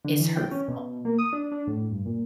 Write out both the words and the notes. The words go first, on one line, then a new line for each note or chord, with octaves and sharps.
It's her fault.
D3
E3
G5
C#4
B2
A#3
D#6
D4
D4
A2
G2
A#2